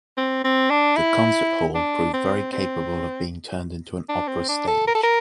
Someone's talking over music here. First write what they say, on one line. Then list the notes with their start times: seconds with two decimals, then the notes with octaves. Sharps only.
The Concert Hall proved very capable of being turned into an opera stage.
0.18 C4
0.44 C4
0.71 D4
0.97 E4
1.75 D4
2.14 C4
2.53 C4
4.09 D4
4.28 C4
4.49 D4
4.68 A4
4.88 A#4
4.95 A4
5.04 A#4